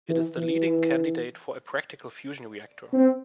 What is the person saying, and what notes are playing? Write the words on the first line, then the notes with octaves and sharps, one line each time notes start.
It is the leading candidate for a practical fusion reactor.
E3
E3
C4